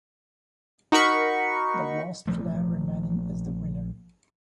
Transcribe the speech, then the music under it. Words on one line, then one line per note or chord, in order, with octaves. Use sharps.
The last player remaining is the winner.
D#4 F#4 A#4 B5 C#6
A#1 F3 A3 A#3